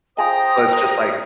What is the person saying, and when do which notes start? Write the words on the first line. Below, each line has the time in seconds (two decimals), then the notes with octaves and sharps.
So, it's just, like
0.17 F4 G#4 C5 D#5 G5 A#5 D#6